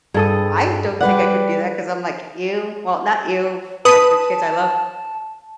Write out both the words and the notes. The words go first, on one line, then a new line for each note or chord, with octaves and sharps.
I don't think I could do that 'cause I'm like, "Ew." Well, not ew. Like, they're kids, I love
G2 G#4 A4 D#6
G3 B4 D5 F#5
B4 A5 D#6